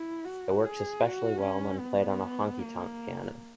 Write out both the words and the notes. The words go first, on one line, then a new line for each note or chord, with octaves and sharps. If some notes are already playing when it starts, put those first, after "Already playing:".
It works especially well when played on a "Honky tonk" piano.
Already playing: E4
F#4
G#4
F#4
C#4
B3
A#3